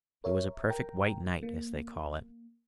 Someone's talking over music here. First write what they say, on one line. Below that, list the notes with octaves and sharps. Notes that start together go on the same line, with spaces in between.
It was a perfect white night, as they call it.
A#4 C#5 E5
A#4 G5 A#5
A#3